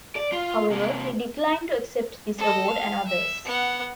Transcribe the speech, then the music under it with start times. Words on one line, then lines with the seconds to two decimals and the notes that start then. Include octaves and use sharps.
However, he declined to accept this award and others.
0.16 D5
0.32 F4
0.70 C3 A#3
2.38 A4 D#5
2.67 F5
3.08 E5
3.45 B3 F#5